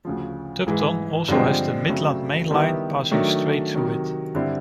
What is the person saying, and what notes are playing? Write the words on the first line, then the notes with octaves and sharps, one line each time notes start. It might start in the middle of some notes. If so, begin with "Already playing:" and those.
Tupton also has the Midland Main Line passing straight through it.
D2 C#3 F3
G#2 E3 G#3
G2 D3 F3 G#3 C4
C#3 F#3 A3 C4
D#3 G3 B3 E4 G4
D#3 F#3 A3 D4
C3 D#3 F#3
G2 D3 G3 C4 E4